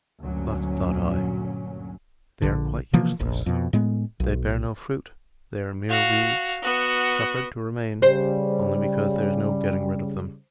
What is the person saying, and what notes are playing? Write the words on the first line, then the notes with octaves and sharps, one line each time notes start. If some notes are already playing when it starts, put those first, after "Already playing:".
But, thought I, they are quite useless; they bear no fruit; they are mere weeds, suffered to remain only because there is no getting rid of them.
D2 G2 A#2 F#3 C#4
A#1 D3
C3 E3 F3 A#3
F1 A#1
F2 B2
A2 G#3 B3
B1
F#4 F5
B3 F#4
C#3 G3 C5